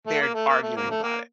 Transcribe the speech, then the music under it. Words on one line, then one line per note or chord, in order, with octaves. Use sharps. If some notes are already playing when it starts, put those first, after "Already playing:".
they're d arguing about it.
A3
A#3
A3
A#3
A3
A#3
A3
A#3